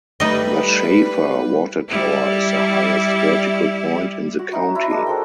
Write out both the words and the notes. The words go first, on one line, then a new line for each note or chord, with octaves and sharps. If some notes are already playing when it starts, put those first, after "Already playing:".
The Shafer watertower is the highest vertical point in the county.
G3 A3 D#4 B4 D#5
G3 E4
F#4
C#4 D#4 E4 F#4
E4
E4 A#5
G#3 D4 D#4 A#4
F#4 A4 C5 G5